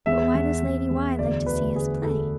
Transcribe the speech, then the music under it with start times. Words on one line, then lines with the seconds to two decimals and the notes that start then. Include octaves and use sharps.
But why does Lady Why like to see us play?
0.06 E2 E5
0.35 E2
0.63 E2
0.91 E2
1.18 D2 D5
1.46 D2 B4
1.75 D2 G#4
2.03 D2 A4